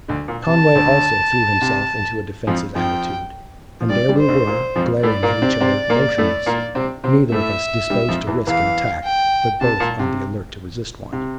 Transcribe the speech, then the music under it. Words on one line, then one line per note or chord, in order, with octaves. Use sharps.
Conway also threw himself into a defensive attitude, and there we were, glaring at each other motionless, neither of us disposed to risk an attack, but both on the alert to resist one.
D2 D3
A#2
C3 A5
D2 D3
C3
F2 F3
F2 F3 G5
F3
G2 G3 D5
G2 G3
C5
D2 D3
A#2
F2 F3
A2 A3 D5
A#2 A#3
C3 C4
C3 C4
A#2 A#3
A2 A3
A#2 A#3
C3 C4
C3 C4
A2 A3 E5
G2 G3
F2 F3
E2 E3
E2 E3 F5
G5
C3 A5
A#2
C3
C3